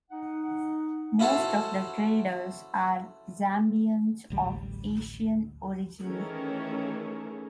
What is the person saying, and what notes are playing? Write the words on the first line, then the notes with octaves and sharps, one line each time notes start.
Most of the traders are Zambians of Asian origin.
D#4 F#5
C#4 E4 F#4 A4 C5 C#5
A1 D2 G3
D#3 E3 A3 C#4 G#4 A#4